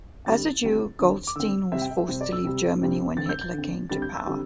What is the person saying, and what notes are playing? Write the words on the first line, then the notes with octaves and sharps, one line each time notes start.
As a Jew, Goldstein was forced to leave Germany when Hitler came to power.
D3 G3 C4 A6
D3 G3 C4
D3 C4
D6
D3 C4 E6
C3 G3 C4 E5
G5
E5
C3 G3 C4 C5
D5
E6
C3 G3 C4
C3 G3 C4
D3 C4 A6
E6
G6
G6
D3 C4
D3 G3 C4 A6
G6
E6
D3 G3 C4